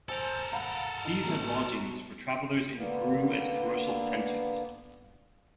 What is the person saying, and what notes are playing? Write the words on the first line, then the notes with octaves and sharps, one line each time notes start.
These had lodgings for travelers and grew as commercial centers.
A4 A#4 C5 G#5 E6
F5 F#5 A#5 B5
D#4
B2 F#3 A3 A#5
F#4
D3 A#3 B3